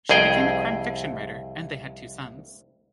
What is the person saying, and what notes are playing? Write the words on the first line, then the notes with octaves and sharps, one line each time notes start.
She became a crime-fiction writer and they had two sons.
C2 F2 G#4 G5